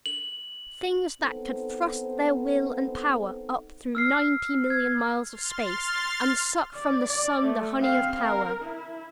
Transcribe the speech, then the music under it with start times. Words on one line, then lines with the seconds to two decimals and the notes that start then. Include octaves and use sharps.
Things that could thrust their will and power up through ninety million miles of space and suck from the sun the honey of power!
0.06 F#7
1.21 B3 C4 D#4 A4 C5
3.95 E6 F6 C7
4.70 G#6
5.27 C6 F6 A6
6.74 D5
7.09 D5
7.43 A3
7.80 C4 F5
8.25 A#4
8.63 E4